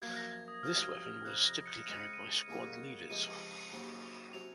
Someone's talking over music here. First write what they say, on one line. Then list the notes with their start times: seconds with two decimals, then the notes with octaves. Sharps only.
This weapon was typically carried by squad leaders.
0.02 F#2 F3 A#3 G#6
0.16 A#6
0.33 G#6
0.48 D#6
0.63 C3 F3 C4 F#4 F6
1.25 F2 C3 F3 F#6
1.46 A#6
1.66 C#7
1.86 C#3 G#3 C4 D#7
1.99 C#7
2.13 D#7
2.48 D#2 C#3 F#3 A#3
3.10 C#2 C3 F3 G#3 C#4 D#7
3.72 D#2 C#3 F#3 C4
4.33 C3 F#3 C#4 F7